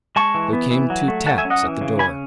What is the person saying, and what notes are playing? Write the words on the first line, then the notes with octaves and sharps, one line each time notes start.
There came two taps at the door.
G#3 A5 C#6
E3
B3
E3
F#3
A3
F#3 F#5 A5
E5 G#5
C#4
D#5 F#5
E3
C#3
C#4 G#5 B5